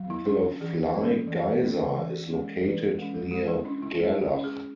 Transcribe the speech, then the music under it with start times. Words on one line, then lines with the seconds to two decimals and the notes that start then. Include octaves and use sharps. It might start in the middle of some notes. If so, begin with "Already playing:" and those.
The Fly Geyser is located near Gerlach.
Already playing: F#3
0.10 E4
0.26 C#4 D4
0.60 E3 G#4
0.83 G#4
0.95 A3 C#4
1.05 A4
1.28 E3
1.62 A3 C#4
1.95 E3
2.30 G#3 C#4
2.64 E3 B4
2.80 A4
2.98 G#3 C#4
3.14 A4
3.31 G#3 F#4
3.48 E4
3.65 C#4 D4
3.82 E4
3.99 G#3 E4
4.22 F#4
4.34 C#4
4.44 G#4